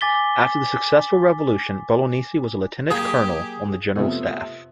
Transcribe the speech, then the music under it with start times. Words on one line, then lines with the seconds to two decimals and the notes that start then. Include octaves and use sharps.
After the successful revolution, Bolognesi was a Lieutenant Colonel on the General Staff.
0.01 G#5 D6 A6 B6 G7
2.90 F#3 A#3 G4 G#4 G5 D#6
3.96 F2 C3 A3 B3